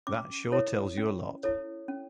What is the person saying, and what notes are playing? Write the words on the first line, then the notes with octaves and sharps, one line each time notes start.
That sure tells you a lot.
C#4 D6
E4 A4 C#5
C#4
E4 A4 C#5
C#4